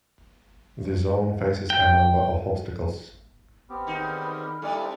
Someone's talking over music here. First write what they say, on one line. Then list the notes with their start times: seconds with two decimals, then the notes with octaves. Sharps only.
The zone faces a number of obstacles.
1.70 G5
3.70 B3 C4 G4 B5 F6
3.87 E2 D#3 D#4
4.62 G3 A#3 D4 E4 A4 D5
4.79 C4 D#4